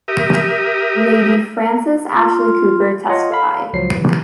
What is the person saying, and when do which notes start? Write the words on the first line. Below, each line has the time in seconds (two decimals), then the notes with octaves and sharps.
Lady Frances Ashley-Cooper testified.
0.08 G4 A#4 E5 D#6
2.15 F4
3.09 F4 C#5 D#5 F#5
3.30 A4 F5 B5
3.73 C#2 F3 F#3 C7
3.94 C3 E3